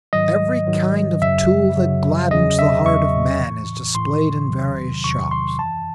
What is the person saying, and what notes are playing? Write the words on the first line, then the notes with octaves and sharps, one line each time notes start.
Every kind of tool that gladdens the heart of man is displayed in various shops.
G#2 D#3 F#3 D#5
G#2 D#3 F#3
F#2 C#3 F#3 E5
F#2 C#3 F#3
E2 C#3 F#3 D#5
E5
E2 C#3 F#3 C#6
A2 E3
A2 E3 C6
E2 C3 D#3 F#3
E2 C3 D#3 F#3 C#6
C6
F#2 E3 A5